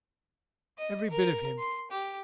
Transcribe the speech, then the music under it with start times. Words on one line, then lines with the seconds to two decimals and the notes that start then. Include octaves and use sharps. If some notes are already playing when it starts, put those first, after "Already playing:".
Every bit of him.
0.78 D#5
1.10 A#4
1.58 C6
1.91 G4